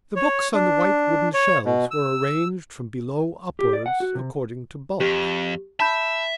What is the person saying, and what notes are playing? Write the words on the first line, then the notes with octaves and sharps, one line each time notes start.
The books on the white wooden shelves were arranged from below upwards according to bulk.
C#5
D4
C#5
B2
E6
G4
D5
F#5
F#4
C3
F2 G4
E5 A5 B5 G6